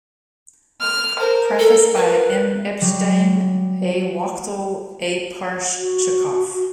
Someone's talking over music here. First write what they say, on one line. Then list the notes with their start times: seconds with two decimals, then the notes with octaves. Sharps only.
Preface by M. Epshtein, A. Wachtel, A. Parshchikov.
0.81 F6
1.20 A#4 C5
1.59 A4
1.96 B4
2.81 F#3 G3
5.77 F#4